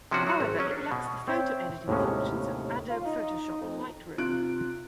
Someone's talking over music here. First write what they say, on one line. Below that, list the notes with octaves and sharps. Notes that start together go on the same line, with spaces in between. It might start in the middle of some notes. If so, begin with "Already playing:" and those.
However, it lacks the photo editing functions of Adobe Photoshop Lightroom.
C3 F3 C#4 D4 F#4
F#3 F#4
G#1
F#3 C#4
D4
B2
C4 C#5 E5 G5
D#2 A2 C3 G#3 C#4
F4
D#4
F2
C3 C4 F4 F#6 D7